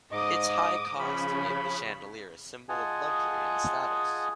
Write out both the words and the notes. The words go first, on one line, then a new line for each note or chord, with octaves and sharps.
Its high cost made the chandelier a symbol of luxury and status.
G#2 D#5 D6 D#6
C#3 F3 B5
F4 G#4 D#5 F#5 G#5 A5